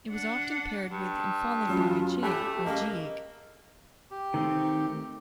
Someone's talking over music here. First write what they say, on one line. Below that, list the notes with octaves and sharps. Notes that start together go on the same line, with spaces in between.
It was often paired with and followed by a jig or gigue.
D4 F#5
G2
C#2 F#2 F#3 F4
A3 G4 G#5 B5 F#6
C#2 A#3 D#5
G4
D#3 A3 C4